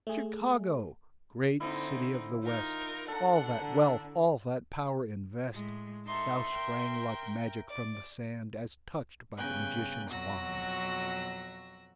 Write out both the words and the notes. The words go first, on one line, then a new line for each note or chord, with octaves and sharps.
Chicago! great city of the West! All that wealth, all that power invest; Thou sprang like magic from the sand, As touched by the magician's wand.
A3 G#4
D3 C4 D#4 E4
D#4 F4 A#4
D4 A4 F#5 A#5
D3
A2 G#3
D#4 A4 E5 C6
A#4 G5
D5
G2 C#3 B3 G5 G#5 F#6
F2 B2 F#3 F#4 E6 A#6